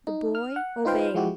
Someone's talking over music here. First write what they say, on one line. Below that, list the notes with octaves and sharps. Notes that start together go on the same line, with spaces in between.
The boy obeyed.
D#4
F6
F#5
D#4 F4 B4 C5 F5 G5
F3 G#3 E4 F#4 G4